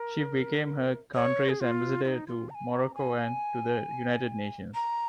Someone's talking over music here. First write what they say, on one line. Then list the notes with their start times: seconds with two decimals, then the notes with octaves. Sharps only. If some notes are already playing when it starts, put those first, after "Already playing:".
She became her country's ambassador to Morocco and to the United Nations.
Already playing: A#4
1.14 C#5
1.49 G#4
1.60 F4
2.04 F4
2.08 D#4
2.27 F4
2.50 A#5
2.54 G#5
2.72 A#5
2.95 G#5
4.75 A#5